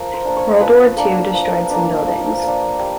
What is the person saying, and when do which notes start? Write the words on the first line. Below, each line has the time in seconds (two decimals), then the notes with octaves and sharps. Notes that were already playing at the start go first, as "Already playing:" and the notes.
WWII destroyed some buildings.
Already playing: F3 A#4
0.14 C5
0.25 A#3 D4
0.37 C#5
0.61 F3 B4
0.97 A#3 D4
1.34 F3
1.71 A#3 D4
2.06 F3
2.43 A#3 D4
2.80 G3